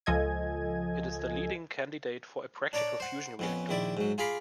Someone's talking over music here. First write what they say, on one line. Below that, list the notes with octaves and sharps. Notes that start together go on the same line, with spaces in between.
It is the leading candidate for a practical fusion reactor.
C#2 F3 A4 D#5 G#5 G#6
D4 C#5 D5 A#5 D6
C5 F#5
F2 B3 C#4
A#1 D#3 E4 D5
G#2 F#3
F4 G#4 F5 A#5 B5 D6